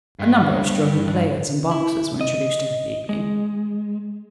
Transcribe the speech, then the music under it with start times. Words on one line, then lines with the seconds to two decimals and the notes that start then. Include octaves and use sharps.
A number of strolling players and boxers were introduced during the evening.
0.19 G2
1.71 E4
2.21 D#5
3.09 G#3